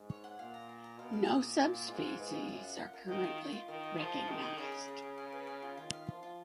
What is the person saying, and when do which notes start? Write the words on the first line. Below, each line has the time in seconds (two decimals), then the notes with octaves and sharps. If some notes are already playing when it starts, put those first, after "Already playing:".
No subspecies are currently recognised.
Already playing: G#2
0.10 C#5
0.24 F#5
0.39 A#2 F5
0.54 A#5
0.69 A#5
0.84 A#5
0.99 B2 F5
1.13 F5
1.28 A#2 D#6
1.43 A#5
1.58 A#2 F4
1.74 F4
1.88 G#2 F4
2.04 F4
2.18 G#2 B4
2.33 F4
2.49 F#2 F4
2.63 F#5
2.79 F4
2.93 A#4
3.08 D#3 D#5
3.24 F4
3.38 F4
3.53 F4
3.68 D#3 A#4
3.83 D#5
3.98 F3 G#4
4.13 G#4
4.28 D#3 D#5
4.42 G#4
4.58 C#3 G#4
4.72 G#4
4.88 G#4
5.02 G#4
5.18 F5
5.32 B4
5.47 F5
5.62 F4
5.77 D#3 F4
5.93 F5
6.07 F3 F4
6.23 F4